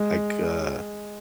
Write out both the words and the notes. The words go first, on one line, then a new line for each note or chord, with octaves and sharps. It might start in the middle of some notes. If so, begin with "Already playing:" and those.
like, uh,
Already playing: G#3